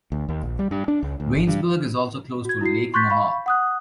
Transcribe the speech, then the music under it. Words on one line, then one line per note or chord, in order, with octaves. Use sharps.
Waynesburg is also close to Lake Mohawk.
D2
D#2
A#1
G3
G2
D4
C#2
D2
G#1
G2
F#4 G#6
E4 F#4 C7
C6 C#6 F#6 G6 A6 B6
F5 B5 C#6
F#5 D#6 F#6